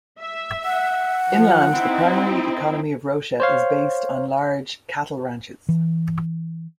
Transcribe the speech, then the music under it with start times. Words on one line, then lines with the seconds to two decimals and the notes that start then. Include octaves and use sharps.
Inland, the primary economy of Rocha is based on large cattle ranches.
0.20 E5
0.65 F#5
1.32 F3
1.73 C4 D#4 E4
3.40 C5 C#5 F5
5.69 E3